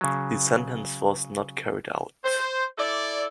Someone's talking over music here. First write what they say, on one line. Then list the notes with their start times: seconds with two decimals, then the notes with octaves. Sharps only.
The sentence was not carried out.
0.01 C#3 F#3
2.24 C5
2.78 E4 A4 D5